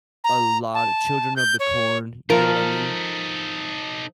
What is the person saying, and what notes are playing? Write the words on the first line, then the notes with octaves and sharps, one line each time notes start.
A lot of Children of the Corn, you know what I mean?
A#5
A5
G6
C#5
F3 D#4 A4 A#4